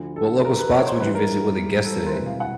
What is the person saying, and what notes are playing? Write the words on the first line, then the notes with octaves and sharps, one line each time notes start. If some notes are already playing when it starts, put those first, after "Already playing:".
What local spots would you visit with a guest today?
Already playing: D2 D3 F3
A4
A#4
B4
C#5
C5
G2 E3 G3 B4
A#4
A4
A#4
C5
E1 D2 C3 E3 B4
F5
F#5